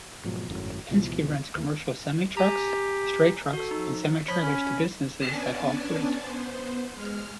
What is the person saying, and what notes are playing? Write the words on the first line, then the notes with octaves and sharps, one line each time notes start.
Penske rents commercial semi-trucks, straight trucks and semi-trailers to businesses that haul freight.
G#2 B2 F3 F#3
G#1 F#2 A2 F#3
C#2 B2 E3 F3
D#2 E3 A#3
G4 G#5 A#5
F#4 A4
F3 D#4
F3 C#5 B5 B6
C#4
B3 C#4 D4 D5 G#5 A5
B3 C5
G#3 F6